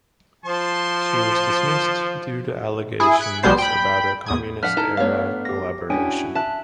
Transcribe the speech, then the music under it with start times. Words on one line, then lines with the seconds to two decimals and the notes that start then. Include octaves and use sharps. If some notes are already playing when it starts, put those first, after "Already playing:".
She was dismissed due to allegations about her communist-era collaboration.
0.46 F3 A5 C6
3.00 E4 G#4
3.20 F#6 G#6 B6 C#7 D7
3.43 B1 B2 G3 B3 C5 C7
3.58 G5 B5
4.26 E2 D#6 G#6
4.63 F3 D4 F#5 F6 F#6 B6
4.77 D#4 E4 A4 A#5
4.97 A3 B3 D4 C#5 F5
5.45 G4 A#6
5.90 C#4 D4 E4 F#4 G5 G#5
6.35 E5 A5 F#6